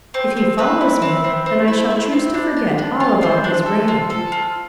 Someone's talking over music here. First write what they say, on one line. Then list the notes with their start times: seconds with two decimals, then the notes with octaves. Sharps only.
If he follows me then I shall choose to forget all about his rank.
0.14 C4
0.37 C4
0.58 C4 B4
0.81 E4
1.02 C4
1.24 C4
1.46 C4
1.68 E4
1.90 E4
2.12 C4
2.34 D4
2.57 F4
2.78 D4
3.00 F4
3.22 F4 C5
3.44 D4
3.66 A4
3.88 F4
4.10 A4
4.32 F4